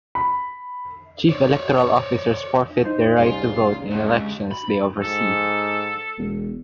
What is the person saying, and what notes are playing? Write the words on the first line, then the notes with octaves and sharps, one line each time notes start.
Chief Electoral Officers forfeit their right to vote in elections they oversee.
B5
C#5 D5
D#4 C5 E5
F#1 C2 F4 G#5
C#2
B5
G#2 A4
E1